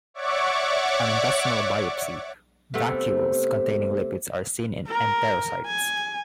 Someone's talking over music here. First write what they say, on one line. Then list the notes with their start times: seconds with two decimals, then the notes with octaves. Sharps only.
On intestinal biopsy, vacuoles containing lipids are seen in enterocytes.
0.14 C#5 D5 E5 F#5 C#6 D6
2.74 C3 A3 B3
4.87 A#4
5.66 G#5